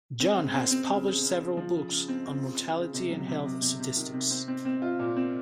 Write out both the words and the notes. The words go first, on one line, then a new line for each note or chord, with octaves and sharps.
John has published several books on mortality and health statistics.
C4
C#3
C4
C4
C#3
C#3
C#3
C#3
F3
C#3
C#3
C4
C4
C#3
C#3
C#3
C3
F#3
C3
C3
C3
C3
D#3
C3
C4
C4
C4
F4
A#2
C4